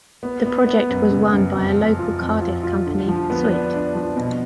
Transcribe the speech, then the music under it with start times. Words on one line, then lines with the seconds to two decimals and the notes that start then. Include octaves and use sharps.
The project was won by a local Cardiff company, Sweet.
0.23 B3
0.45 B3
0.67 B3
0.90 F#2
1.10 C#3
1.32 F#2
1.54 F2
1.77 F2
1.99 F4
2.20 F2
2.42 F4
2.63 F4
2.86 D3
3.08 F3
3.30 B3
3.51 D4
3.74 D4
3.95 F3
4.17 B2